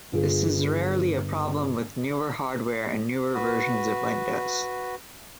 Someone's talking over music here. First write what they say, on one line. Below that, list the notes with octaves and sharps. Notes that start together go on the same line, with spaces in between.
This is rarely a problem with newer hardware and newer versions of Windows.
G1 F4 G#4
F#4 B4